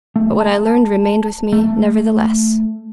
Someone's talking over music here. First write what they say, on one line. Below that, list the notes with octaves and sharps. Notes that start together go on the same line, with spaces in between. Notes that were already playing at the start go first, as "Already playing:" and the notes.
But what I learned remained with me, nevertheless.
A3
A5
A3